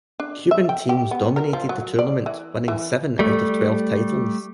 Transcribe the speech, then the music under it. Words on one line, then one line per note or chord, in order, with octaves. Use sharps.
Cuban teams dominated the tournament, winning seven out of twelve titles.
D4
E5
G5
G4
B3
A#4
F3
F#3
D5
E3
E3
G3 A3